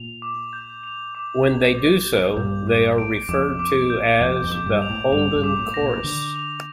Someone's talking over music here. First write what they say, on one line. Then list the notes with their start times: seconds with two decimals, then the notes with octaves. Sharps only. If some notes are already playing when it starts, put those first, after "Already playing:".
When they do so, they are referred to as The Holden Chorus.
Already playing: A#2 F7
0.22 D6
0.53 G6
0.84 F7
1.15 D6
1.45 G6
1.75 D6
2.06 G6
2.37 G2 G6
2.67 D6
2.98 D7
3.29 F2 D6
3.59 D6
3.90 G6
4.20 F2 G6
4.44 F2
4.52 D6
4.66 G2
4.82 F7
4.90 A2
5.12 G2 F7
5.36 G2
5.44 D6
5.59 A2
5.74 A#6
5.82 A#2
6.04 D3 F7
6.36 F7